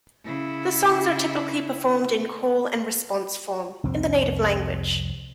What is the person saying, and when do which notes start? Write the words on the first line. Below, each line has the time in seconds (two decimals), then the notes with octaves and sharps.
The songs are typically performed in call and response form, in the native language.
0.25 C#3 E4
3.84 C2 F2 C4